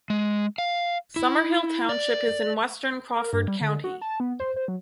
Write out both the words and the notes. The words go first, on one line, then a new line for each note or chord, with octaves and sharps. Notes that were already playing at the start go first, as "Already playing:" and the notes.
Summerhill Township is in western Crawford County.
G#3
F5
E4
D5
A#4
G2
G3
D3
F#4
A5
B3
C5
C5
F#3